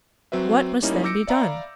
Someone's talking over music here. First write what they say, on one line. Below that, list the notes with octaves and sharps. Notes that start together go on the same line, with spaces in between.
"What must then be done?"
F#3 C4 F#4 B4 E5
G3 A#3 C#4 D#4 E4
D6 E6 G6 A#6 C#7 D7
D5 E5 F5 A#5 B5